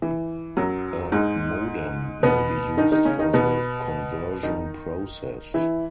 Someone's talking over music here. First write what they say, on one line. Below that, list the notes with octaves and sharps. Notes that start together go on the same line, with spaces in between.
A modem may be used for the conversion process.
E3
F#2 F#3
G#2 G#3
B2 B3
D#3 D#4
D#3 D#4
C#3 C#4
D#3 D#4
B2 B3
D#3 D#4
E3 E4